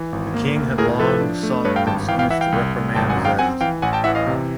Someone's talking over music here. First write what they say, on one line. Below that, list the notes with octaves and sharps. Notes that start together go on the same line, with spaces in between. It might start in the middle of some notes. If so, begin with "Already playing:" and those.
The king had long sought an excuse to reprimand his adjutant.
Already playing: E3
G#1
A#3
D2
A2 G#4 A#4
F3 A4 B4
D4
A3
G2 B4 C#5
F5 G5
G#1 G5 A5
E3 F5 G5
F5 G5
E3 E5 F#5
F5 G5
C2
C2
G#1 G5 A5
F#5 G#5
F#2
F5 G5
C4 F#5 G#5
E3 F5 G5
A1 F#5 G#5
G5 A5
E3 E5 F#5
D#5 F5
C3